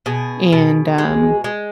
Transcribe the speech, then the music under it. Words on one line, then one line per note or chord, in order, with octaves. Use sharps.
and, um
B2 G#4
B2
G#3
G#3